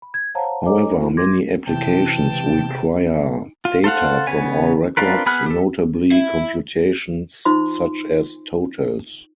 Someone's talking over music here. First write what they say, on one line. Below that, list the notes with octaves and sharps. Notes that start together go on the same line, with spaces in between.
However, many applications require data from all records, notably computations such as totals.
B5
G#6
C5 C#5 F5 F#5 A5 A#5
A4 C#5 D#5 G#5 A#5 D6
E4
C6 D6 G#6 A#6
C3 E3 G5 A5
F4
A4 C5 F5 F#5
C#3 B3 C#5 G#5
C4 D4 F4 A#4 B4
B3 G#4 B5 F6 F#6
G4 A4
E4
D#4 F4 C5 C6